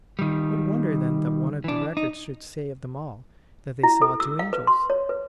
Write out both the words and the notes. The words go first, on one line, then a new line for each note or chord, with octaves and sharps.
What wonder then that one of the records should say of them all, that they saw two angels?
D#3 G3
E3 D4
D#4
E4
A4
E6
F5
B4
C6
C#5
B4